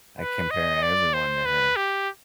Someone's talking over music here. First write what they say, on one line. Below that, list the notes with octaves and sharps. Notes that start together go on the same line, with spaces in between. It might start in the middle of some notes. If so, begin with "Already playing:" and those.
I compare everyone to her,
B4
D#5
D5
C5
B4
G4